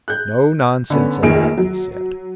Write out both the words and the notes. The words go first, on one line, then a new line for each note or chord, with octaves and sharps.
"No nonsense at all," he said.
F#6 G6
D3 B3 C#4
F1 A#1 D#3 G#4 D7
F#3